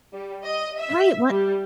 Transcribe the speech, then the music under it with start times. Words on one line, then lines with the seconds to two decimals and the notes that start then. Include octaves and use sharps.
Right. What
0.13 G3
0.44 D#5
0.78 E5
1.30 G3